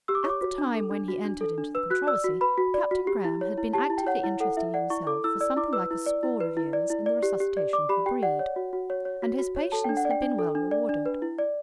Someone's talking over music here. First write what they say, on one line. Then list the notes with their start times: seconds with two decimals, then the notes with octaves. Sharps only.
At the time when he entered into the controversy, Captain Graham had been actively interesting himself for something like a score of years in the resuscitation of the breed, and his patience had been well rewarded.
0.08 G4 E6
0.15 D6
0.23 C#5 C#6
0.30 D6
0.41 F#4
0.58 D4
0.75 A4
0.91 D4
1.08 F#4
1.24 D4
1.41 A4
1.58 D4
1.75 B4 E6
1.90 F#4 F#6
2.07 D5 E6
2.24 F#4
2.41 B4 B5
2.58 F#4
2.74 D5
2.91 F#4
3.07 G4
3.24 E4
3.41 C#5
3.58 E4
3.73 G4 A5
3.90 E4
3.98 G5
4.07 C#5 F#5
4.24 E4
4.40 A4 F#5
4.57 E4 E5
4.74 D5 F#5
4.90 E4 C#6
5.07 A4 D6
5.24 E4 E6
5.41 D5 E6
5.57 E4 D6
5.73 B4 E6
5.91 E4
6.06 D5
6.23 E4
6.40 B4
6.57 E4
6.73 D5
6.90 E4
7.06 D5
7.23 G4
7.40 G4
7.57 D5
7.73 D5 D6
7.89 G4 B5
8.06 G4 G5
8.23 D5 F#5
8.39 C#5
8.56 F#4
8.73 F#4
8.90 C#5
9.05 C#5
9.22 F#4
9.39 F#4
9.56 C#5
9.72 A4 A5
9.84 D4 G5
9.97 F#5
10.05 D5
10.11 G5
10.22 D4
10.39 A4
10.55 D4
10.71 D5
10.89 D4
11.06 B4
11.22 E4
11.38 D5